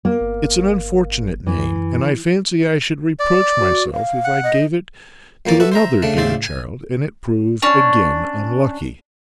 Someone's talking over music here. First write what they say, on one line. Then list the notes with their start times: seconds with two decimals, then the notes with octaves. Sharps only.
It's an unfortunate name, and I fancy I should reproach myself if I gave it to another dear child, and it proved again unlucky.'
0.05 A#3
0.21 G1
1.47 F#2 E3
3.20 D5
3.60 F#4
3.93 F5
4.24 F#5
4.43 D#5
5.46 F2 A#3 C#4 D5 D6
5.60 F#4 A4 B4 E5
5.72 C5 E5 A#5
6.02 C#3 A3 D4
6.17 A1 C#3 C5 D5 E5
6.43 G#5
7.62 C#4 D4